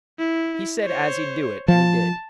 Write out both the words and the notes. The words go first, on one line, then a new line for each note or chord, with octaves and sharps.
He said as he'd do it, and he did.
E4
C5 C#5
F3 A5